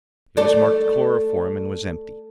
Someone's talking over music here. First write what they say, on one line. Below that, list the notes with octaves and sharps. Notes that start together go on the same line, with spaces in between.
It was marked chloroform and was empty.
A3 A4 D5